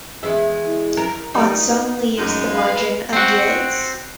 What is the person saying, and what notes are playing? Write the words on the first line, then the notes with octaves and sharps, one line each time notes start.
On some leaves the margin undulates.
E2 G#3 E5
E4
A#4
G3 D#4 F#4 A#4
B3
F#2 G#3 D#4
B4 F5
C4 F#4